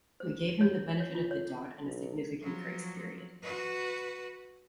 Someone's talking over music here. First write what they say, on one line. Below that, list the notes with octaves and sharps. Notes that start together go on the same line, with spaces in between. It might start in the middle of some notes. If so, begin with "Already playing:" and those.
We gave him the benefit of the doubt, and a significant grace period.
C5
C#5
C#5
F4
C#5
B1
F3 F#3
F#4 B4